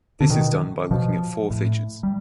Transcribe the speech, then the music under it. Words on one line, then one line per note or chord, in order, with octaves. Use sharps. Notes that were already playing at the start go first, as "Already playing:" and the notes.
This is done by looking at four features.
D3
B2 D#3
B2 F3
A2
G3